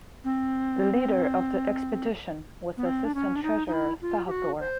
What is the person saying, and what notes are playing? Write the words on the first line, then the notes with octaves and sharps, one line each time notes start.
The leader of the expedition was the "assistant treasurer" Sahathor.
C4
B3
C4
D4
C#4
D4
D#4
D#4
E4
F4
G4
F#4
C5